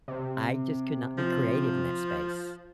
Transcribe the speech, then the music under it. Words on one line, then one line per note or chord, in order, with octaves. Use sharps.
I just could not be creative in that space.
C3
F3